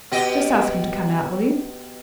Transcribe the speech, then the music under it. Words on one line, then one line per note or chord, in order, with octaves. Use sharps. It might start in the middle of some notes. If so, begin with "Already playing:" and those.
"Just ask him to come out, will you?"
B2 G4 D#5